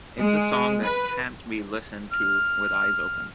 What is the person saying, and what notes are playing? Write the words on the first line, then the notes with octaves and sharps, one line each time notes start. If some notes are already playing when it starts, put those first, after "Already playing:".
It's a song that can't be listened to with eyes open.
G#3
B4
F6